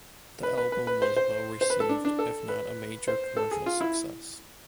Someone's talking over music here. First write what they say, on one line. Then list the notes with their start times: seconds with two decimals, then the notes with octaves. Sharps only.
The album was well-received, if not a major commercial success.
0.43 B4
0.58 B4
0.72 B4
0.87 B4
1.02 C5
1.16 C5
1.61 C5
1.70 B4
1.80 A4
1.89 D4
2.05 D4
2.19 A4
2.49 B4
3.08 C5
3.37 A4
3.51 G#4
3.66 F4
3.81 E4